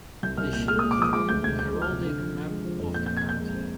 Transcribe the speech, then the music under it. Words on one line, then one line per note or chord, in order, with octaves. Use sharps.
The shield formed an heraldic map of the county.
C2 G6
C2 F6
A#2 G6
G#3 F6
A#2 D#6
D6
F3 D#6
G#3 D6
D2 G6
D2 G#6
D2 G6
F3
F6
C3
D3
F3
F3
G#3
F3
F2
A#2 G6
A#2 G6
G#6
A#2 G6
G#3
C4